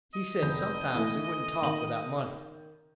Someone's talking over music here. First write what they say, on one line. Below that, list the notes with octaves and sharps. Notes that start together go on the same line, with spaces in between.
He said sometimes it wouldn't talk without money.
D#5
F1 G6
E3 A3
D#3 F#7